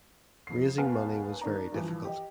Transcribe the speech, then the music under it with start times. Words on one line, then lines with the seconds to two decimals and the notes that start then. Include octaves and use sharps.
Raising money was very difficult.
0.47 F2 C7
0.78 D#2 B3 F5 G#5 A5 F6
1.41 D#3 D4 A#5
1.72 G2 E3 F3
2.05 G4 D#5